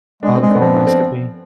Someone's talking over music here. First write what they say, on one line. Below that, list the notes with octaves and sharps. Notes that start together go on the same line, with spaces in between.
Oh, the colonoscopy.
G#3 D4
C4
G#3
D4
B3
F3 C4
D4
C4